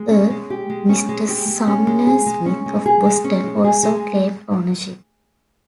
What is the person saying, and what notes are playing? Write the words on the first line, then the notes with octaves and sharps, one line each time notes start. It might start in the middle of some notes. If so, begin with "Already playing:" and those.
A Mr. Sumner Smith of Boston also claimed ownership.
Already playing: G#3
C#4
G#3
G4
G#3
C#4
G#3
G4
G#3
C#4
G#3
G#4
G#3
C#4
G#3
G#4
G#3
C#4
G#3
G#4
G#3